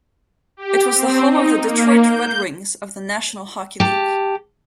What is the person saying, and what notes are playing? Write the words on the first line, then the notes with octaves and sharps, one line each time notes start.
It was the home of the Detroit Red Wings of the National Hockey League.
G4
C4
D#4
A#3
G6
G4 A5